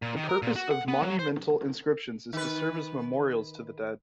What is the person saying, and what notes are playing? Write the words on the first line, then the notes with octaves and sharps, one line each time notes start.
The purpose of monumental inscriptions is to serve as memorials to the dead.
A#2
D#3
A#4
A#2
F#4
F#5
B3
F#3
C5
D#3 B4